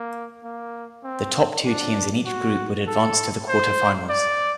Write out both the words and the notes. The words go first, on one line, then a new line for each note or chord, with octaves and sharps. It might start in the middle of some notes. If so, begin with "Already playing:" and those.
The top two teams in each group would advance to the quarterfinals.
Already playing: A#3
A#3
C4
D4
F#4
A4
C5
D5